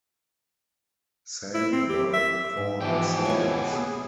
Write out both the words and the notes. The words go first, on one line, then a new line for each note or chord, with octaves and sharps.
Sang by four singers.
E4
C4
G4
E5
G#2
B2 E3 F3 G4
C#5 G#5
G#4